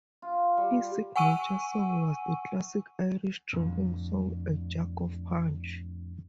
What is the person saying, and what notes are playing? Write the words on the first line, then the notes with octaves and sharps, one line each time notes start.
His signature song was the classic Irish drinking song, A Jug of Punch.
F4
G3
F#5 G#5 C#6 E6 D#7
F2 A2 D3